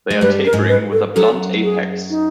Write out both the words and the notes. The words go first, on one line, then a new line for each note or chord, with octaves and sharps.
They are tapering with a blunt apex.
G#3
G2 G3 B4
A#4
G#2 G#3
B4
A4
F#2 F#3 A4
G#4
D#4